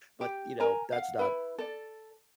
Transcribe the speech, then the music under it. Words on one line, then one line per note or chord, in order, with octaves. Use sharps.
but, you know, that's not
G4
A#4 G#5 A#5
F5 F#5
E4 B4
A4 D5